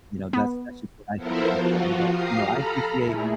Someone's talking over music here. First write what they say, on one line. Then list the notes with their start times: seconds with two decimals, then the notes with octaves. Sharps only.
you know, that's that's just what I think is important, but, you know, I appreciate
0.33 B3
1.15 F3 B3 E4 A4 A#4 C5
1.54 F3 F4 F#4
2.08 G4 F5 A#5 D#6 C7
2.49 A4 A#5 B5 F6
2.98 A#2 A3 E4 G#4